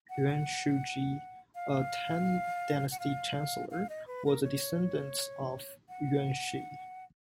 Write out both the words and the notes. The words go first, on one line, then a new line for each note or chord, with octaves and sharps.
Yuan Shuji, a Tang dynasty chancellor, was a descendant of Yuan Xi.
F#5
F5
F#5
F5
F5
D#5
B4
A#4
C#5
F#5